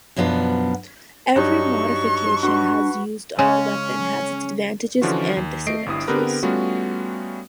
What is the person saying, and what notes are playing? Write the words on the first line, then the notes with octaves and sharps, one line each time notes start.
Every modification has used on a weapon has its advantages and disadvantages.
F#2 B2 F3 B3 D4
G2 F#3 D#4 C#6
D4 F#4 B4
C#3 G#3 C#4 G#5
D3 E3 F3 C#4 F4 F#4
D#2
A3 D#5 C7 D7
G1 G2 E4 D#6
D3 B3 C4 G4 A#4 B4
G3 A3 B3 C#4 F4 F#4